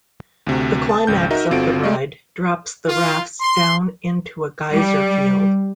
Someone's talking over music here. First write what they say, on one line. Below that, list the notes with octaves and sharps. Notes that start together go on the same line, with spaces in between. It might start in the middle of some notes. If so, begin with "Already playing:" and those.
The climax of the ride drops the rafts down into a geyser field.
D2 C3 F#4
A5
G#1 C#2 G6
D#4 F#4 A#4 D#5 E5
G1 C4 F4 F#4 A4 D7
G#3 A3 G4 D5 D#5
F4
C6
G3